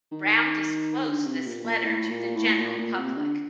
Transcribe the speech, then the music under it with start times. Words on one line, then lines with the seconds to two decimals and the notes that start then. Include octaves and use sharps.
Browne disclosed this letter to the general public.
0.12 D#3
1.07 D3
1.26 C3
1.46 A#2
1.64 A#2
1.84 A2
2.10 A#2
2.35 A2
2.60 A#2
2.79 A#2
2.98 C3
3.17 D3